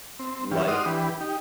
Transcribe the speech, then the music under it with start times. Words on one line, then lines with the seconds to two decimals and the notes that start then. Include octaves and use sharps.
like f
0.19 C4
0.51 E3 C#4 F4 G4
0.68 F#4 D5 D#5 C6 D#6 F6
0.86 E3 D4 G4 B4
1.20 D#4 G4